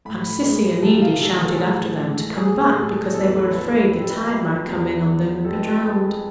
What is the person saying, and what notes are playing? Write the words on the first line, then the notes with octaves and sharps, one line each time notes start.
And Cissy and Edy shouted after them to come back because they were afraid the tide might come in on them and be drowned.
A2 B5
G#3
C2 A5
F5
E3 A4
B4
A4
G#4
A2 A4
G#3
A2 G#4
A2 A4
E2 A4
B4
A4
A4
A3 B4
F2 B4
A4
B4
F3 B4
E2
F3
F2 A4
B4
A4
G#3